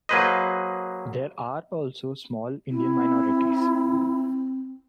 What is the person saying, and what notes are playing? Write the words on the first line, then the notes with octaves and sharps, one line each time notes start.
There are also small Indian minorities.
F#3 A#3 G#4 B4 C5 D#5
C4 E4